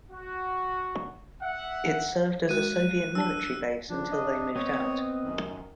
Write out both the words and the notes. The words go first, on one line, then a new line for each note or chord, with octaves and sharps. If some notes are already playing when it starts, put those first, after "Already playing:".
It served as a Soviet military base until they moved out.
F#4
E5 F#5
G#3 F#4 F#6 D#7
D4 A5 E6
F3 D4
D#5
B3 C4 C#5
F#2 D#3